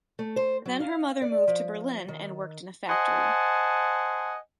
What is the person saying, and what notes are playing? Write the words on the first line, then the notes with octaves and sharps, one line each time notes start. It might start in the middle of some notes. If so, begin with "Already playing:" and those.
Then her mother moved to Berlin and worked in a factory.
A3
C5
F#3
F5
D5
F3
D#3
C5 D#5 F#5 G#5 A5